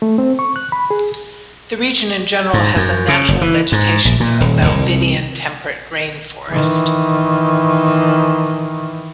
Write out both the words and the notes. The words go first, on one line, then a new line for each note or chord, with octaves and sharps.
The region, in general, has a natural vegetation of Valdivian temperate rain forest.
A3
C4
C#6
F#6
B5
G#4
G#2
F#2
C#3
F#1
E3
G#2
A#1
A#2
D#1
C2
D#3 E3